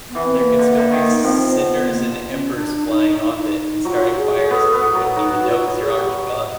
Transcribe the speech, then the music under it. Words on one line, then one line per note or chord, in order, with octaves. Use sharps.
There could still be cinders and embers flying off it and starting fires, and you wouldn't even know 'cause you're already gone.
B3
E3
C4
A#3
D3
D3
D#3
F3 C4
B3
A#3
B3
C#4
D4
D#4
D#4
E4
D#4
F#3 F4
G#4
B3 A4
B3
F#3
F#3 D#4
D#4
F#4
F4
F#4
G#4
G4